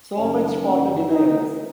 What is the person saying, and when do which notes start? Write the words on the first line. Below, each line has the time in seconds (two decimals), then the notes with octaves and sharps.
So much for the denials!
0.17 F#1 F#2 D#3 C#4
0.64 C#4
1.11 D#4